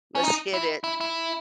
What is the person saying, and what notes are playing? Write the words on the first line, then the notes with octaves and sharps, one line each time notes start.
let's hit it,"
C#4
D#4
E4
E4
E4